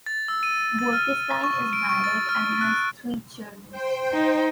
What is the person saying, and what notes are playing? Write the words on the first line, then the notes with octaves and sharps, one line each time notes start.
Bolkestein is married and has three children.
A6
E6
D#7
A6
F6
C#6
D7
C#6
A6
F6
F#6
C5 G5
D#4